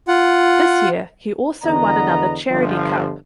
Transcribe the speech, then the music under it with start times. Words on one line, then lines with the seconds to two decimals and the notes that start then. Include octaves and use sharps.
This year he also won another Charity Cup.
0.08 F4 F#5
1.64 E2 D3 B3 D#5 A#5
2.49 G1 F3